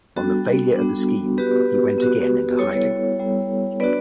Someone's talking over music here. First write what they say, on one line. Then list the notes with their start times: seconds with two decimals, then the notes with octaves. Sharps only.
On the failure of the scheme he went again into hiding.
0.16 G3 B3 D4 F#4 A4
0.77 G3 B3 D4
1.38 B3 F#4 G4 B4
1.98 B3 F#4
2.59 G3 B3 E4 A4 C#5
3.19 G3 B3 E4
3.80 B3 D4 F#4 B4 D5